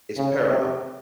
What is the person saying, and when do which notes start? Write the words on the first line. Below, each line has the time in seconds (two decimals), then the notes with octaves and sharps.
is paramount.
0.18 C#3
0.49 C3